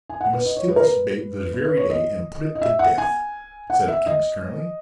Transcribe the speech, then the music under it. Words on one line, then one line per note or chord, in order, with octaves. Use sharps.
"You must steal this babe this very day and put it to death," said the king sternly.
G#5
F#5
B4
D#5
C#5
B4
A#4
B4
B4
B4
C#5
D#5
D#5
E5
F#5
G#5
F#5
E5
D#5